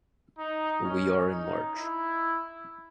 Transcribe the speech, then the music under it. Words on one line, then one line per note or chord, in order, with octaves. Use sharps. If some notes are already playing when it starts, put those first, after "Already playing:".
We are in March.
D#4
C#4
D#4
E4